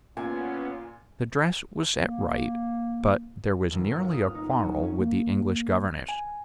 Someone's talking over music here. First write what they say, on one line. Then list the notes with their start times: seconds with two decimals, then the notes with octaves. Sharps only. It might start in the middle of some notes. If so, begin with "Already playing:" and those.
The dress was set right, but there was nearly a quarrel with the English governess.
0.17 A#2 B3 C#4 F4 G#5
1.99 A#3
3.71 D#1
3.90 G1
4.12 D#6
4.23 F6
4.35 D#4
4.51 D#7
4.63 F#3
4.83 C#4
4.99 A#3
6.09 G#5